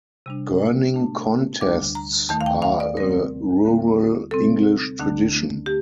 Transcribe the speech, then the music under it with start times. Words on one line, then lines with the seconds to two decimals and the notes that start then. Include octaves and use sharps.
Gurning contests are a rural English tradition.
0.26 C3 G3 D4
0.94 A2 A3 D4
1.61 D2 D3 G3 D4 D6
1.95 A#5
2.29 D#2 D#3 A3 A5
2.41 F5
2.46 G5
2.62 F5
2.80 D5
2.97 C3 G3 C4 A#4
3.64 D#2 D3 G3 C4
4.31 C3 G3 C4 A4
4.99 D2 D3 A3 D4
5.66 A3 G4